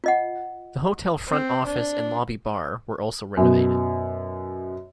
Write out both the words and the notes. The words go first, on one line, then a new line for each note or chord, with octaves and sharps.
The hotel front office and lobby bar were also renovated.
F4 D#5 F#5
C4
D4
F#2 B2